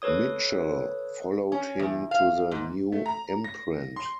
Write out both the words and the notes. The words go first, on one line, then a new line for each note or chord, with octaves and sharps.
Mitchell - followed him to the new imprint.
A4 B4 C#5 D#6
C#4
E2
F5
G#2
A3
A#5
A#6
C6